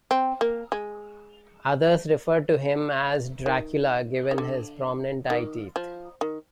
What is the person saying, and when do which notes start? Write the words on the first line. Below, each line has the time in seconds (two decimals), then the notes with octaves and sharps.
Others refer to him as Dracula, given his prominent eye teeth.
0.11 C4
0.41 A#3
0.72 G#3
3.46 D#3
4.31 D#3
4.38 D3
5.30 D#3
5.76 F3
6.21 D#3